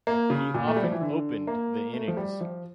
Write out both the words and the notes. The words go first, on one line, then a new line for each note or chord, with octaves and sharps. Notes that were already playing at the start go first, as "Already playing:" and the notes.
He often opened the innings.
A#3
C#3
A#2
A3
G3
F3
E3
D3
A#3
A3
F3
G3
F3